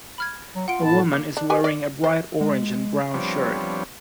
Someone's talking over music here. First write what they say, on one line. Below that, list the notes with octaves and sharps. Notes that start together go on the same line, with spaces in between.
A woman is wearing a bright orange and brown shirt.
B5 F6 G#6
F#3
F4 F#5 C6 D7
A2 B3 A5
A#3
D4
G4 B4 G#5
D5
C5
G#3
F3 G3 B3 C4 D4 C#5